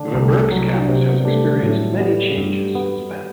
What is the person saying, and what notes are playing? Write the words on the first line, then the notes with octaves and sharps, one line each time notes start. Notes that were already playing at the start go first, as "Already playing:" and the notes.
The Berks campus has experienced many changes since then.
Already playing: D3 A3 D4
C2 A3
F#3
D4
C3 C4
B3
G3
A3 D4
G3
A2 F#3
G3 B3
G2
B3